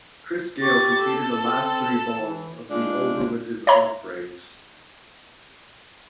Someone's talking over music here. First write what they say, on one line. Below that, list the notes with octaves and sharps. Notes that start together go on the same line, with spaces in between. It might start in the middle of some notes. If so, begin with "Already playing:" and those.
Chris Gayle completed the last three balls of the over with his off-breaks.
G4 C#6 A6
A4
C4
E3
G#3 D4 D#4 F4
C#5 E5 A#5